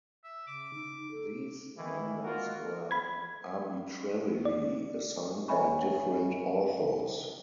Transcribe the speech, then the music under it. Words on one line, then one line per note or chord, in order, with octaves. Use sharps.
These numbers were arbitrarily assigned by different authors.
E5
C#3 D6
D#4
A4
D#3 E3
G#3 A#3 F4 F#4 A#4
B5 G#6
D5
C#5 D#5 E5 G#5 B5 C#6